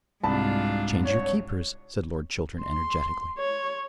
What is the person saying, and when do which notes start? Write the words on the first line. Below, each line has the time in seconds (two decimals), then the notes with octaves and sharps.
"Change your keepers," said Lord Chiltern energetically.
0.23 C2 G#2 D4 F4 A5 B5
1.04 C#5
2.61 C6
3.38 C#5